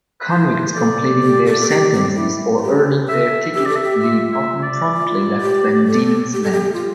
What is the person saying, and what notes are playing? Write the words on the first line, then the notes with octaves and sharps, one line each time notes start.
Convicts completing their sentences or earning their ticket-of-leave often promptly left Van Diemen's Land.
B4
E4 C5
A4 D5
G4
A4
A4
G4
C4
E4
F4
G4
A4 E5
G4 E5
A4 D5
E5
G4
F4 E5
E5
D5
F4
G4
A4
G4
A4
G4
F4